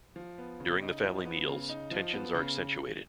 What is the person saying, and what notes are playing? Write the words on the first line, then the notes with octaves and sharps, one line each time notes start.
During the family meals, tensions are accentuated.
F3
B3
C#3
D#4
F3
B3
C#3
D#4
F3
B3
C#3